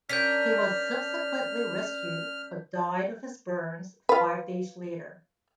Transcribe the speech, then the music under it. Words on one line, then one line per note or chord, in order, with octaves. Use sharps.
He was subsequently rescued but died of his burns five days later.
C#4 D4 A#4 F6 G6 B6
F4 B4